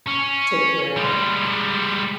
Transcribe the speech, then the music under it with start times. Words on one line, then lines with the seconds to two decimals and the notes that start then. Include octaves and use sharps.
Take care.
0.06 C#4
0.97 G3 G#3